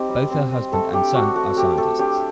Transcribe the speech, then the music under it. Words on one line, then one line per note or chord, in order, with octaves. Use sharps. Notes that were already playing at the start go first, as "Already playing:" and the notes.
Both her husband and son are scientists.
Already playing: C4 D#4 G4
G3
C4
C4
A3 A4
D4 G4
D4 F#4
A3 F#4
A3 G4
A3 A4
D4 G4